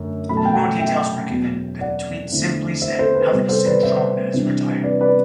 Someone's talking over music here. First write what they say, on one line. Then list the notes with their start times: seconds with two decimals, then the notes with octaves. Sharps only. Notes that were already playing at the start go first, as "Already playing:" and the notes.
No details were given; the tweet simply said Alex Cintron has retired.
Already playing: F#2 D3 A3
0.29 B2 F#3 A3 B5
0.37 A5
0.45 G5
0.53 F#5 A5
0.80 E5 G5
1.30 E2 B2 F#3
1.81 D5 F#5
2.32 E2 D3 A3 C4 E4
2.82 C5 E5
2.99 A4 C5
3.15 B4
3.32 C3 G3 B3
3.49 A4 C5
3.66 B4 D5
3.83 C5 E5
4.34 C3 E3 G3 D4
4.84 B4 D5
5.01 B4 D5